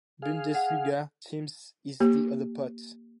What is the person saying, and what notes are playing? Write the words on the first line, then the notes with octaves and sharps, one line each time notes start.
Bundesliga teams in the other pot.
G#4 F5
F#5
A#3 G4